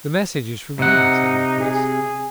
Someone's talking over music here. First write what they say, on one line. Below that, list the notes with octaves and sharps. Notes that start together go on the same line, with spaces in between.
'The message is from him,' said Nicholas.
C3 D#4 F#5
G#4